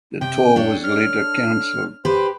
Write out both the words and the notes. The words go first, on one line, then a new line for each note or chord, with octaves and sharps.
The tour was later cancelled.
C3 G5
D4 A4 C#5
F6
G4 B4 C5